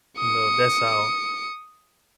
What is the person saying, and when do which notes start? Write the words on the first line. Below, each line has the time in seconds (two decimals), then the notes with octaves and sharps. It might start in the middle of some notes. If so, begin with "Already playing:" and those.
You know, that's how
0.18 D#6 C#7